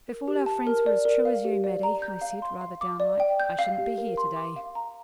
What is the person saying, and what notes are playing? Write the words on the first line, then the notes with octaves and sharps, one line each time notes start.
'If all our friends were as true as you, Maddie,' I said, rather down-like, 'I shouldn't be here to-day.'
A#4
G4
A5
A#4
D5
A#4
F5
G4
D5
A#5
G6
F5
C6
F5
D6
D5
G5
G6
F5
G4
A#4
C6
D6
F5
A#5